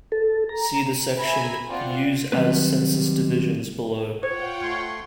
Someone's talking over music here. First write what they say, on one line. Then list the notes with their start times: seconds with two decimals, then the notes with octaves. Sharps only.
See the section "Use as census divisions" below.
0.12 A4
0.49 A#5
1.18 E5 G#5 A#5 B5
1.68 C4 F4 D5 F#5
2.32 D#3 F#3 G3 A#3 C4 B4
4.23 F4 C5 C#5 F#5 G5
4.63 A3 C6 C#6